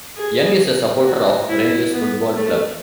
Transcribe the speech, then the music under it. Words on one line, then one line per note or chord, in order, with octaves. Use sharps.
Young is a supporter of Rangers football club.
G#4
F#4
E4
B3
A3